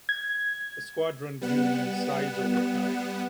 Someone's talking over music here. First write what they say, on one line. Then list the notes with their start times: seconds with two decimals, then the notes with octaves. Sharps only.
The squadron grew in size over time.
0.09 G#6
1.41 G3 B3 F#5 F#6 E7